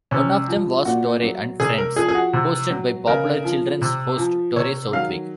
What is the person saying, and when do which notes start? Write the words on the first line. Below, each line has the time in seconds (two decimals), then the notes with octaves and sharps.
One of them was "Torey and Friends", hosted by popular children's host Torey Southwick.
0.11 C3 C#4
0.48 F3
0.85 A#2 F#4
1.23 F#3
1.60 C3 G#4
1.78 A#4
1.96 F3 G#4
2.08 G#4
2.15 F#4
2.33 C3
2.70 F#3
3.07 C#3 A#4
3.44 F3
3.82 C3
4.18 F3
4.56 C3 C#5
4.93 D#3 F#3 F5